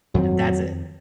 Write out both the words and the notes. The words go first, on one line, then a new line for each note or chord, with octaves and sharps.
and that's it.
F2 D#3 F#3 C4